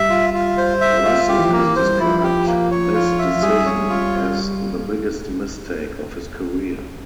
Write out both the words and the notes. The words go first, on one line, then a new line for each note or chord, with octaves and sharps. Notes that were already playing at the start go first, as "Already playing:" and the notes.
Russell has described this decision as the biggest mistake of his career.
Already playing: G3 E5
F4
F4
C5
E5
F4
G3 G4
E3
F3
A#3
E3
C5
G3
F3 E4
G4
A#3
C#5
F4
E5
F3
G3 G#4
C#5
F4